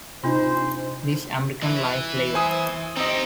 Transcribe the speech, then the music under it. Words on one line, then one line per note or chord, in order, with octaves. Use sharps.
This American Life Live!
C3 D4 D#4 F4 C5 C6
E3
C5 G#5 D#6
C4 D#4 G4 D#5